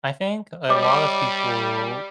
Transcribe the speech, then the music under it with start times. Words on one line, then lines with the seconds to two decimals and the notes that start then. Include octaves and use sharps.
I think a lot of people
0.69 G3 C#5 D#5 D6